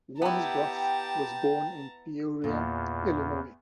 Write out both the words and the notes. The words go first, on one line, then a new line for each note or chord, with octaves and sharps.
Wansbrough was born in Peoria, Illinois.
B3 E4 G4 G5 A5 A#5
E2 A#2